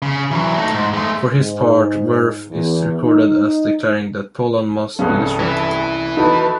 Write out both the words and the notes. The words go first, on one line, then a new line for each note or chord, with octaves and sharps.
For his part, Wirth is recorded as declaring that Poland must be destroyed.
C#3
E3 F#3
A3 D#4
G#2
G#3 A3
G#2
E2
D#4
C2 G2 C#4 G#4 A4 F#6
E3 E4
D#4 F#4 A4 B4 A5